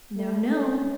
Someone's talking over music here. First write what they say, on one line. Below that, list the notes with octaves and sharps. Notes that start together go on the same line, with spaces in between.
No, no.
A3
C#4